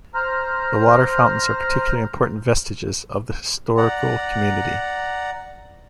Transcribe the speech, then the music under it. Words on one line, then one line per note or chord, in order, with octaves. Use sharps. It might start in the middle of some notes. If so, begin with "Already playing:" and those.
The water fountains are particularly important vestiges of the historical community.
C5 A#5 F6
D5 F#5 A#5